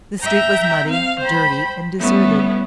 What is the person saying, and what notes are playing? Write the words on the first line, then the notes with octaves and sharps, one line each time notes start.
The street was muddy, dirty, and deserted.
E5 G5 A#5
C4 F5
C5 G5 B5
G3 A3 B3 C#4 E4